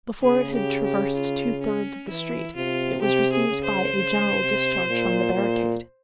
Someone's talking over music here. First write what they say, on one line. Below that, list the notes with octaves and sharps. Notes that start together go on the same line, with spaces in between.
Before it had traversed two thirds of the street it was received by a general discharge from the barricade.
C#3 G#4
G4
G4
F4
C#4
E3 E4
C3 F4
C3 G4
G#4
C#3
C5
C#3
C3
A#2
A#2